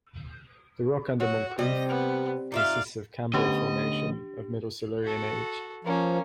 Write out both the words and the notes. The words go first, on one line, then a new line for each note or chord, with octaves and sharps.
The rock under Moncrieff consists of Canberra Formation of middle Silurian age.
F#3 F#4
C3 G3 D#5
B3
D#4 F4 D5 E5 F5
D2 B3 C#4 D4 G4 C#5 D#5
F#4 A4
F3 A#3 C#4